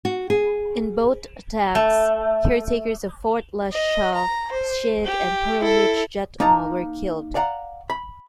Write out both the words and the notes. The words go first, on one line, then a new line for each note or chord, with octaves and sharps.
In both attacks caretakers of Fort Lalshah Syed and Purohit Jethmal were killed.
F#4
G#4
A3
D#5
A#5
C5
G4
E4 A4
A#3 D#4 D#5 A5 A#5
D5 F5 F#5 A#5
B5